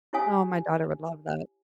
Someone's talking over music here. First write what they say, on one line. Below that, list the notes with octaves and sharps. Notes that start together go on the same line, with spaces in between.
Oh, my daughter would love that.
E4 G4 C#5 F5 G#5 D#6